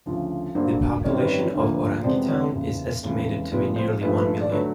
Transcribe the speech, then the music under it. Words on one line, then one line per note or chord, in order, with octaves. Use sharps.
The population of Orangi Town is estimated to be nearly one million.
D2 C#3 F3
G2 D3 F#3 A#3 C5
G#1 F#2 D#3 G3 C#5
C5
B4 C#5
D2 D3 F3 A#3
F2 C3 E3 G#3 B3 C5 D5
C#5 D#5
F#1 E2 C#3
F1 E2 C#3 E3 G#3
C2 A#2 F3 G#3 B4
C5
A#1 G#2 F3 A3 B4
C5
B4
D5
D3 F#3 A3 B4 C#5